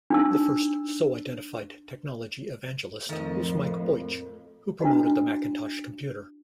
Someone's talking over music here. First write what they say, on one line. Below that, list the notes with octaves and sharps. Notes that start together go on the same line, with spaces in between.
The first so-identified technology evangelist was Mike Boich - who promoted the Macintosh computer.
D4 D#4 E6
F2 A2 D#3 A4 A#4 D#5
D4 E4 F#4 D#5